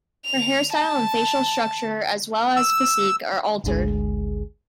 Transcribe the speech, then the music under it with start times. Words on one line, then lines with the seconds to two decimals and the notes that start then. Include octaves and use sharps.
Her hairstyle and facial structure as well as physique are altered.
0.25 F7
0.73 A5
2.56 E6
3.64 G#1 D2 D3 G#3 G#4